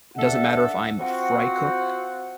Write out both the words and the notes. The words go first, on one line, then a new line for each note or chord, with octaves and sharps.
it doesn't matter if I'm a fry cook
D4 A4 E5 F#5
C4 F4 F#4